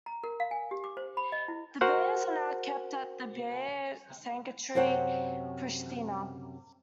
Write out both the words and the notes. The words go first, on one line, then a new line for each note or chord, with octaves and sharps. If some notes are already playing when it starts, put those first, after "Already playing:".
The bears are now kept at the Bear Sanctuary Prishtina.
A#5
A#4
F5
G#5
G4
D6
C5
B5
D#5
E4
F#4 A#4 C5 F#5 F6
F#2 C3 C5 C#5 F#5 G5